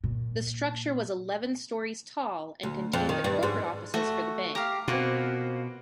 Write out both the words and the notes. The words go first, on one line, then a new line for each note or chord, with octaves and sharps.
The structure was eleven stories tall and contained the corporate offices for the bank.
A#2
D2
F2
D#3
G2
G#2
A3 F#4
G4 F5 A#5
B2 A#3 C4 F4 F#4 B4